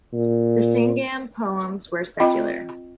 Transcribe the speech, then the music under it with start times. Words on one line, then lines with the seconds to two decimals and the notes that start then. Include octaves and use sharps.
The Sangam poems were secular.
0.13 A#2
2.20 C4 F4 D#5 G5 B5